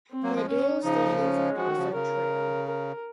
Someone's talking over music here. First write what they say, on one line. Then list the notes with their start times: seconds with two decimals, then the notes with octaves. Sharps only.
The dual statements are also true.
0.11 C4
0.23 F#3 A#3
0.35 F3 G#3
0.48 C#4
0.84 C#3 F3 D#4
1.20 C#4
1.57 F3 F#4
1.67 D#3
1.77 C#3 F3
1.94 C#3 A#4
2.67 A#4